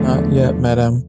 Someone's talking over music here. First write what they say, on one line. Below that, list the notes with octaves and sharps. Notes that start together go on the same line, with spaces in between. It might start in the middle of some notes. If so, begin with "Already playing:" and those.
Not yet, madam.
Already playing: E2 D3 F3 A3